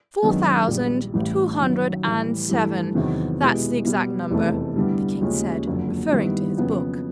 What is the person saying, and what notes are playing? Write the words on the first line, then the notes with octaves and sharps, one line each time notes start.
'Four thousand two hundred and seven, that's the exact number,' the King said, referring to his book.
F#2 D#3 G#3 B3 D4
A#1 A#2 G3
A1 A2 E3 G3
F#2 D#3 F#3
A2 E3 G3
G2 E3 A3
E2 C3 D#3 F#3 B3
B2 G#3 B3 E4 G4
B2 G3 B3
F1 E2 C3 E3 A3
G2 D3 G3 B3 E4
D#2 C#3 F3 G#3 C#4
F#1 F2 D3 F#3
G2 D#3 G3 B3 E4
F2 C#3 F#3 B3